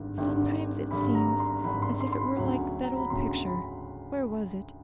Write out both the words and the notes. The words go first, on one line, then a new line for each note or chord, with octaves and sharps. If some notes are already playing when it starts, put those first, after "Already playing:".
Sometimes it seems as if it were like that old picture--where was it?
Already playing: G#1 G2 D3
G#1 G2 D3
G#1 G2 D3 B5
A#5
C6
G#1 G2 D3 B5
C6
C6
C6
B5
D2 C#3 F#3
A#5
B5
D2 C#3 F#3 C6
B5